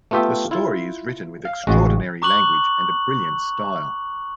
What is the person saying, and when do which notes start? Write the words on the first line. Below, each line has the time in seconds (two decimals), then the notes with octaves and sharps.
The story is written with extraordinary language and a brilliant style.
0.11 A3 B3 F4 G4 E5 G5
0.51 E4 F4
1.45 F5
1.67 A1 C#3 G#3 F#4
2.22 A#5 C#6 D6 F#6 F#7